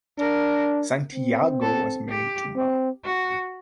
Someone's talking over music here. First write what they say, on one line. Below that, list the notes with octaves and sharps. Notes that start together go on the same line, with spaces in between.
Santiago was married to Ma.
D4 A#4
C4
A4
G4
C4
F#4